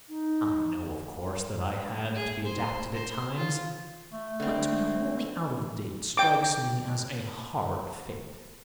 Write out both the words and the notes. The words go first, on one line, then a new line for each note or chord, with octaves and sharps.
"I know, of course, that I have to be adapted at times; but to be wholly out of date strikes me as a hard fate."
D#4
G#4
C5
C5
F4
A3
D3 C4
G5 D6